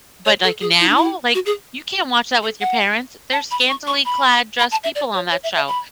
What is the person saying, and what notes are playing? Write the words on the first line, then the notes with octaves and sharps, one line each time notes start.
but, like, now, like, you can't watch that with your parents they're scantily clad dressed people on that show,
C#5
A4
G#4
E4
D4
E4
F#4
G#4
A4
F#5
A5
B5
C#6
C#6
B5
B5
A5
E5
D5
C#5
C#5
E5
E5
B5